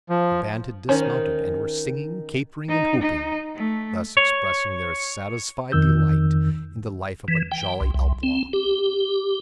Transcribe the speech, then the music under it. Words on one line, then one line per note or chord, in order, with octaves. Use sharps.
The band had dismounted and were singing, capering, and whooping, thus expressing their satisfied delight in the life of a jolly outlaw.
F3
D#3 C#4 D#4 C5 C#5 D#5
D#4
D#4
A3
C#5
F2 D#3 E6 G6
E3
G5
C2
C2
C4
G4